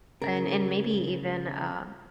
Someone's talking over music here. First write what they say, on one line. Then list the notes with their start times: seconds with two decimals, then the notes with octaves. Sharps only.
And and maybe even, um,
0.22 C#3 A#4